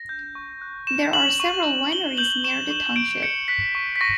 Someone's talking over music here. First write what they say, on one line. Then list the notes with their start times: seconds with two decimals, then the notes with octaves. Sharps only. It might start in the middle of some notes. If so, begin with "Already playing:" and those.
There are several wineries near the township.
Already playing: A#6
0.09 G6
0.35 C#6
0.62 F#6
0.87 C#6 E7
1.13 F#6 F#7
1.40 C#6
1.66 C#6
1.91 C#6 G7
2.18 G6 F#7
2.44 C#6 E7
2.71 C#6
2.96 G6 D7
3.22 G6 C#7
3.48 F#6 B6
3.75 C#6
3.96 B6
4.01 C#6 A#6